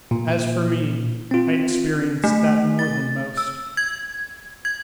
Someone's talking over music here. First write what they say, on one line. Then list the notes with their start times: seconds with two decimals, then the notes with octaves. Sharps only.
As for me, I experienced that more than most.
0.11 A#2
1.31 C4 F4
2.24 A3
2.79 A6
3.37 E6
3.77 G#6
4.65 G#6